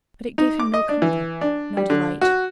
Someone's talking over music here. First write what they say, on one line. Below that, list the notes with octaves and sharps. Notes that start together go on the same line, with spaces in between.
But it gave him no comfort, no delight.
D#4
D6
D#5
D4
E3
D4
G3
D3
F#4